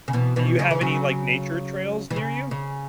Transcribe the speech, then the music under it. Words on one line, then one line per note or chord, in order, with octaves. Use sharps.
Do you have any, like, nature trails near you?
C#3
B2 E3
B2 E3
C#3 F#3
E3
C#3 F#3
E3
C#3
C#3